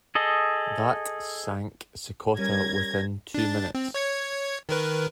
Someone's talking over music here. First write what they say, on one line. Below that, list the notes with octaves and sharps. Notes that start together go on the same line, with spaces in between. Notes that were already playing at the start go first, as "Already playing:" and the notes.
That sank "Secota" within two minutes.
G#4 A4 D#5
G3 C#4 A#4 G#6 A#6
D4 A6
C4
C#5 G#6 C#7
D#3 A#4 B4